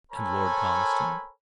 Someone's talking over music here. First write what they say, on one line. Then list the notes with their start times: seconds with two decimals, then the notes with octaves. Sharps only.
"And Lord Conniston?"
0.12 A4 A#4 C5 C#5 G#5 B5